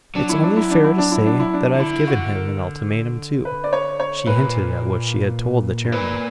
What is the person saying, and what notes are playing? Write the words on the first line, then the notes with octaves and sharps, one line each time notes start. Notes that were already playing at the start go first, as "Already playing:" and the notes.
"It's only fair to say that I've given him an ultimatum, too." She hinted at what she had told the chairman.
F#3 D4
E4
D4
E4
D4
E4
D4
E4
D4
E4
D4
E3
D3 E4
F#4
A#4
B4
D5
C#5
C#5
A#2 B4
G2
A#2 B4